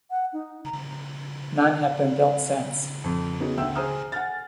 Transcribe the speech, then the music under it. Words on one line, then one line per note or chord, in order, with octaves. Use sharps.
None have been built since.
F#5
D#4
A#5
F2
B3 C#4 D#4 F#4 G#4
D2 E5 G5 E6
G#4 C5 G#5 A#5 D#6 F6
F#5 G#5 F6 A6